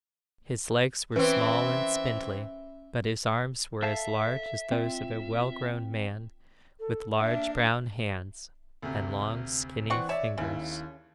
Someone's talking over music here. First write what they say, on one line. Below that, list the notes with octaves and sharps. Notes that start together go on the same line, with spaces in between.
His legs were small and spindly, but his arms were as large as those of a well-grown man, with large brown hands, and long skinny fingers.
E3 C4 C#4 B4 E5
A4 E5 F5 A5
C4 F4
A4
A#3 D4 E5
D2 C3
E3 C4 D5 F#5 C#6
C#5 D5 E5
D#2 C#3 E4